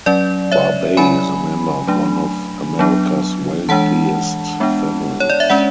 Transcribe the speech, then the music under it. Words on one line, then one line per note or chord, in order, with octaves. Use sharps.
Barbey is a member of one of America's wealthiest families.
F#3 C#4 D5
C#5 E5
F#3 C#4 G#5 B5
F#3 A3 D4
F#3 B3 D4
E3 G#3 D4 F#5 A5
G#3 B3 D4
C#5
D5
E5
G#3 C#4 D5 F#5